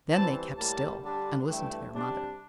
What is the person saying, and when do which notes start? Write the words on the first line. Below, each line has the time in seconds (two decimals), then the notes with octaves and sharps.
Then they kept still and listened to their mother.
0.11 E3 G3 C4 A5
0.57 A2 G3 A#3 A5
1.03 D3 G3 D4
1.48 G2 E3 A3 G5
1.93 C3 G3 D4